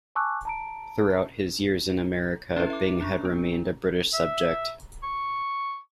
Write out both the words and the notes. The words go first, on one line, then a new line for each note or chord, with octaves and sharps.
Throughout his years in America, Bing had remained a British subject.
G#5 A5 C#6 D6 E6 F#6
A5 A#5 D7
C#4 E4 A4 B4 E5
E5 D6
C#4 D4 C#6
B3
E5
C#6